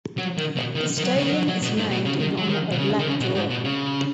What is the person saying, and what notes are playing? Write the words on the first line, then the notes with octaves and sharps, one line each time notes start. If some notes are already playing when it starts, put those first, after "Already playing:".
The stadium is named in honour of Lat Jor.
F#3
D#3
B2
D#3
D#3
F#3
C#3
D#3
F#3
F#3
B2
G#2
B2
C#3
D#3
F#3
D#3
B2
C#3
D#3
C#3
B2
G#2
B2
C#3